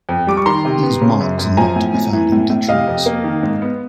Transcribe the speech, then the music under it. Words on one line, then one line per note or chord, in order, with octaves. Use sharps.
These marks are not to be found in dictionaries.
F2
G3 D6
C#6
D#3 A#5 C6
C3
B3
C#3
F#2
F#2
F3 G#5 A#5
A2
A2
E3
A2
A2
C3 D#5 F5
F2
A#3
D#3
G#2
B3